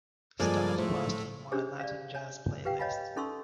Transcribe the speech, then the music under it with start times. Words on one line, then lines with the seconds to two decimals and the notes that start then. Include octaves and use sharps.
Start blasting my Latin Jazz playlist.
0.40 G2 F3 G#3 A#3 A4 D5 G#5
0.78 A2 A3 E4 C5
1.52 C#4 D4 G4 G#4 C5 C#5
1.80 D5 F5
2.15 C#5 G#5
2.65 G4 B4 F5 G5
2.79 C#5 D#5 F5 G#5 B5
3.16 C#4 D#4 A4 C6 C#6 E6